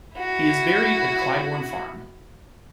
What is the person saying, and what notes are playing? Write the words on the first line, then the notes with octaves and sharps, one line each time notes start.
He is buried at Claiborne Farm.
E4 F#4